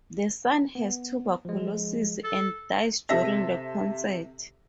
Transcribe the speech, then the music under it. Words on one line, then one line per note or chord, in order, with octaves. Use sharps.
The son has tuberculosis and dies during the concert.
B3
F3 G#3
A4
C3 A4 E5 A#6